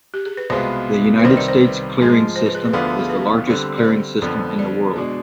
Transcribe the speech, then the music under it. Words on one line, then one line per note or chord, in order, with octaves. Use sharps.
The United States Clearing System is the largest clearing system in the world.
G4
G#4
B4
C2 B2 G#3 B3 F4 C5
B4
C2 C3 D#3 G3 C4 C5
D5
C5
B4
G#2 F3 G#3
C5
B4
G#4
B4
D2 D3 F3 B3 F4
G#4
B4
D3 G3 C4
D5
C5
F2 D3 F3 B3
D5
B2 G#3 D4